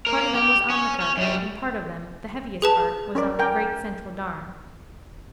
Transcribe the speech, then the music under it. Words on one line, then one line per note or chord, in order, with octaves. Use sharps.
Part of them was on the carpet, and part of them--the heaviest part--was on the great central darn.
A#3 A#4
G4
C#4
C#4
F#2 G3
G#4 B4 A5
C#4 A#4 D5
A#4 G5 G#5